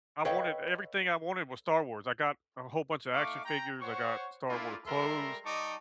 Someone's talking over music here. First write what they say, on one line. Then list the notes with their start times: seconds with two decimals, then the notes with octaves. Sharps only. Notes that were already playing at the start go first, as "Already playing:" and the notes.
I wanted everything I wanted was Star Wars. I got a whole bunch of action figures, I got Star War clothes,
0.25 A4 B4 C#5 D#5 F5 G5
3.12 A3 D#4 F5 C#6 D6
3.44 G5 A#5
3.81 C5 C#5 F#5 C#6
4.48 A3 A#3 D4 E4 F4
4.86 G3 G#3 A4 A#4 E5 C6
5.44 G3 D#4 D#5 A5 C#6 D6